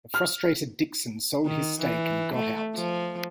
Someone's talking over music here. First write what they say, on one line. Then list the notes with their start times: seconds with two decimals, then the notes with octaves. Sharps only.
A frustrated Dixon sold his stake and got out.
0.14 F6
1.45 D#3
1.81 E3
2.34 A3
2.75 F3